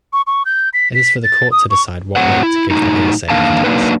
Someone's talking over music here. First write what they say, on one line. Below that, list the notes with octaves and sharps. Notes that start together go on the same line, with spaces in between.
It is for the court to decide what weight to give the hearsay evidence.
C#6
C#6
G6
B6
B6
A6
D#6
C#6
A2 F#3 C4 C#5 F#5
E4
A2 F#3 D#4
E2 D#3 A#3 D4 F5 A5
F#3 A#3 D4 D#4 B4